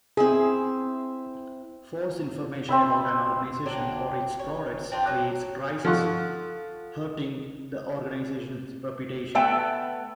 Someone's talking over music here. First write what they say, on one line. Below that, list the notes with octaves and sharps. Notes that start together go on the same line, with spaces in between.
False information about an organization or its products creates crises hurting the organization's reputation.
C4 E4 G#4 E5
C4 E5 B5
F#3 C4 D4
C#5
C4 D4 F4
F#3
F3 F4 A4 F#5 C#6 F#6
A3 B3 E5 G5